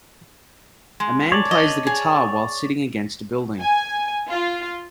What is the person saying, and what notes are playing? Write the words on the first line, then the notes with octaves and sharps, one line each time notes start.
A man plays the guitar while sitting against a building.
G#3
C#5 D5 A5
D#5
G#4
G#5
F4